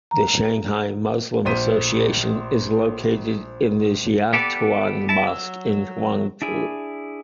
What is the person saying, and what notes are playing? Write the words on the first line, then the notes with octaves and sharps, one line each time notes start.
The Shanghai Muslim Association is located in the Xiaotaoyuan Mosque in Huangpu.
A#5
A#1 C5 B6 D#7
B3 G4 A4 B4 D5
E4 A5
F#3 E6
D4 E4 G#4